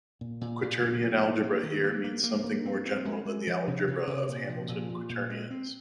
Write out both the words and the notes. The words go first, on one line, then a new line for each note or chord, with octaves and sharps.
"Quaternion algebra" here means something more general than the algebra of Hamilton quaternions.
A#2
A#2
A#2
A#3
A#3
A#3
A#3
D#3
A#3
A#3
A#3
A#3
C4
C4
G#3
G#3
F3
C3
C3
C3
A#2
F3
A#2
A#2
A#2
G#3
C4